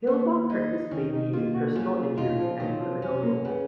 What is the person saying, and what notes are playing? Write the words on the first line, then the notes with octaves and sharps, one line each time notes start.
Heilbron practised mainly in personal injury and criminal law.
D#2 B3
D#4
D#3 C#4
D#4
A#3 F4
F#4
C#3 F4
F4
D#4 F4
F3
D#3 F#3
F3
C#4
A#3
C#3 B3